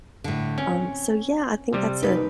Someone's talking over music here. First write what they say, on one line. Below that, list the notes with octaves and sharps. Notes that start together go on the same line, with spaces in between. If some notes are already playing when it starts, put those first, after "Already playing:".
Um, so yeah, I think that's a
A2 D3
C4 C#4
C3 G3
D#2 D#4 B4